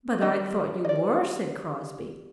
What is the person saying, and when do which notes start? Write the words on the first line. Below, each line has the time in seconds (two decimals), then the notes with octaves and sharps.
"But I thought you were," said Crosbie.
0.21 D#3 G3 C4 D#5
0.85 D#5
0.89 D5